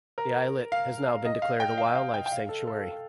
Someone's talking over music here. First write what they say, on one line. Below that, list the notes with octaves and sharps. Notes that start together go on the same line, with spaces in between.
The islet has now been declared a wildlife sanctuary.
A#4
F5
D#5
F5
G5
F5
F5
G5
G5
F5
A4
A4